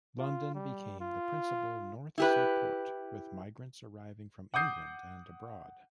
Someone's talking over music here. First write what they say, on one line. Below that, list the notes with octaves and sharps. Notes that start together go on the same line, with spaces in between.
London became the principal North Sea port, with migrants arriving from England and abroad.
F4
G3
F4
E4 G4 B4
F#5 D6 D#6 G6 C7